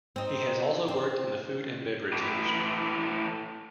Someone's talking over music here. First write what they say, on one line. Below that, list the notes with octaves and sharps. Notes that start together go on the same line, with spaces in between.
He has also worked in the food and beverage industry.
C4 D#4
C4
A2 E3